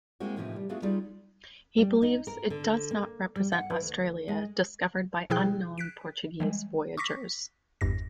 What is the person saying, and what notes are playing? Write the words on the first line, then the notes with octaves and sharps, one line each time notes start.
He believes it does not represent Australia discovered by unknown Portuguese voyagers.
G#3 A#3 C4 E4 F#4
A2 C3 E3 F3 C4 D#4
G3
A3 B3 D4 F4 F#4 G#4
G3 D#4 F4 G#4 D5
G3
D#4
A#4
D3
A#3
G3
F#5
E3
D2
G#3
B2 F3 E4 G#4 G5 F#6
F#6 B6 D7
E3 G3 G#3
C#6 D6 A#6 B6
G1 E2 G2 A#6